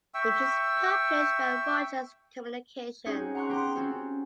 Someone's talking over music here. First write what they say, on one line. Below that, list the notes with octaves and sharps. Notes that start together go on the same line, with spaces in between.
It is published by Rogers Communications.
E5 G5 C#6 E6
C4 C#4 D#4 F#4 G#4 C#5
F#5 A#5 C6 C#6 F#6
B3 G4 G5 A#5 C6
C4 C#4 F4 F#4 C5